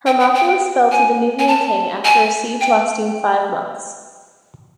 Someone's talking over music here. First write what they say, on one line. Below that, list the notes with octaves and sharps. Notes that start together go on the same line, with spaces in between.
Hermopolis fell to the Nubian king after a siege lasting five months.
G5
G5
G5
G#5
G#5
A5
G#5
G5